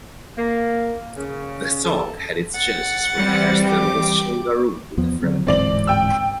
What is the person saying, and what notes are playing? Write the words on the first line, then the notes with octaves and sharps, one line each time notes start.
The song had its genesis when Hairston was sharing a room with a friend.
A#3
C#3
A4
F#5 A6
E3 G3 C4
G4 D6
E2 F3 B3
D3 F#3 C4
D1 G#2 E3 C4 D5 F#7
G5 E6